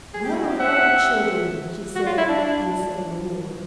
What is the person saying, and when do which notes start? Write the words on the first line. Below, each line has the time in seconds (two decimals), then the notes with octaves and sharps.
"Well! of all the children!" she said, and said no more.
0.14 G#4
0.24 G4
0.34 F#4
0.44 G4
0.58 E5 F#5
1.96 F#4
2.06 F4
2.18 E4
2.29 D4